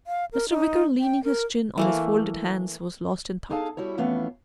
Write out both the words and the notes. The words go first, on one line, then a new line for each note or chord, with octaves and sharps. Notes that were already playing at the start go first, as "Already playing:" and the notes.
Mr. Wicker leaning his chin on his folded hands was lost in thought.
F5
A#4
D#4
G5
A#4
E3 A3 A#3
D4 D#4 G#4 A4 F5 A5
G3 E4 F#4 C#5
F2 E3 A3 B3 C#4 F5